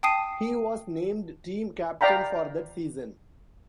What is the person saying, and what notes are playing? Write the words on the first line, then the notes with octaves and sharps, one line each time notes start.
He was named team captain for that season.
G5 A5 D#6 C7 D#7
D5 F5 G5 A#5 B5